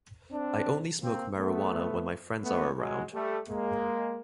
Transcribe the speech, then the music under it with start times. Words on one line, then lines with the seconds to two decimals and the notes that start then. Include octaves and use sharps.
I only smoke marijuana when my friends are around.
0.30 C4 D4
1.01 A#3 C4
1.37 A3 B3
2.43 A3 B3
2.78 F#3 G#3
3.13 G3 A3
3.48 G#3 A#3